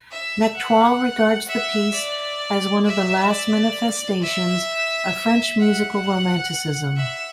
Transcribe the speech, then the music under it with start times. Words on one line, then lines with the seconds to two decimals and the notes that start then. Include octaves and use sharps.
Nectoux regards the piece as one of the last manifestations of French musical Romanticism.
0.11 E5
0.57 F#5
1.48 E5
1.93 D5
2.86 E5
3.30 D5
4.22 E5
5.59 F#5
6.96 E5